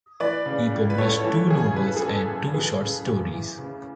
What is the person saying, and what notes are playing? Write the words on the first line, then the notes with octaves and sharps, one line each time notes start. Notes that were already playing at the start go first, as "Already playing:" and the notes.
He published two novels and two short stories.
E3 B4 D5
C#3
C#2
B4
C#2 A4 C#5
E3 A4
C#3 G#4
C#3 B4
A4
G#4
E2 A4
F#1
F#1 G#4 B4
C#3
E2
E3
C#3